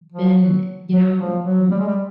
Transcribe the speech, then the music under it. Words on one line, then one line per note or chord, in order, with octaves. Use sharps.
been, you know, m
F3
F#3
F#3
F3
F#3
G3
G#3
G3